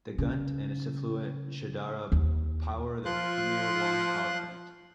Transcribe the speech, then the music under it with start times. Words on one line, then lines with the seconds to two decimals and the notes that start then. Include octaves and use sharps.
The Gunt, and its affluent Shahdara, power the Pamir I power plant.
0.18 C#3
2.12 D#2
3.05 F3 F4 C6 F#6